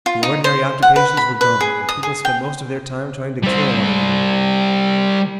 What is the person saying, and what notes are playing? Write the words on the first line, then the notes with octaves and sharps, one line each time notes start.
The ordinary occupations were gone, and people spent most of their time trying to kill one another.
F4
D#4
C5
F#5
B4
B5
B4
G#4
D#6
G#4
G5
G3 C5